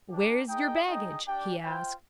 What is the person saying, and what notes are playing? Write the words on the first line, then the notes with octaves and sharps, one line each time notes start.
"Where's yer baggage?" he asked.
A#3 D4 G4
D#4 G#4 D#5 G5
D#4 G#4 D#5 G5
D4 G4 D5 G5
F4 C5 G5